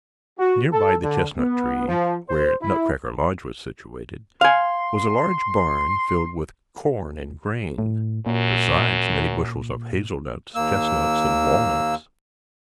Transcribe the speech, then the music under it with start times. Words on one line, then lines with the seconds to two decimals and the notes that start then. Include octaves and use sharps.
Near by the chestnut-tree where Nutcracker Lodge was situated was a large barn filled with corn and grain, besides many bushels of hazel- nuts, chestnuts, and walnuts.
0.39 F#4
0.72 A4
1.03 D3
1.38 B3
1.88 F3
2.29 C5
2.62 E4
4.41 F5 G#5 C6
7.78 A2
8.26 F#2 A#2
10.55 D#2 A#3 E6